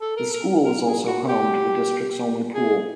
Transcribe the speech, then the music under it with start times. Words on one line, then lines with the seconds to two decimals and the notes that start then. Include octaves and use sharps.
The school is also home to the districts only pool.
0.01 A4
0.17 A#4
0.33 A#4
0.64 A#4
0.85 G#4
1.07 F#4
1.28 G4
2.54 G#4